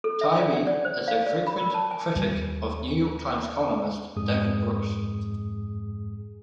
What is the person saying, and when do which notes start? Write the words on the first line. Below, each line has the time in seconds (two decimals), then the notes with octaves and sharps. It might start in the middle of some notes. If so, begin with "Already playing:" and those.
Taibbi is a frequent critic of "New York Times" columnist David Brooks.
0.04 A4
0.21 E5
0.40 D5
0.53 F#5
0.67 D5
0.85 C5
1.08 F5
1.27 D5
1.47 B5
1.61 A#4
1.74 A5
1.91 G#5
2.16 D#2 G3
4.16 F2 G#2 G#3 G#4 D#6